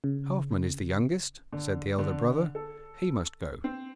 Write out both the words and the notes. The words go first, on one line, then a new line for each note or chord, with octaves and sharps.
'Halfman is the youngest,' said the elder brother, 'he must go.'
C#3
D3
D3
A4
C4